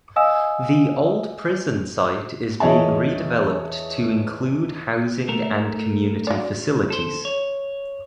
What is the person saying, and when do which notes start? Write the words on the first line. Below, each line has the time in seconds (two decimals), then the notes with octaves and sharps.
The old prison site is being redeveloped to include housing and community facilities.
0.16 D#5 F5 G#5 D#6 E6 E7
2.60 E2 G#4 C#5 D#5 E5 A5
5.28 A3 A4 A#4
6.27 F#3 D5
6.90 A4 C5
7.25 C#5